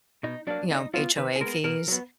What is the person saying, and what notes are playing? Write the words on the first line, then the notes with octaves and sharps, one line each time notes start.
you know, HOA fees,
B2 D#4
F#3 A#3 D4
D3 D#4
F#3 B3 F4
D#3 B4
G#4
G#3 B3 A#4
B2 A#4
F#3 B3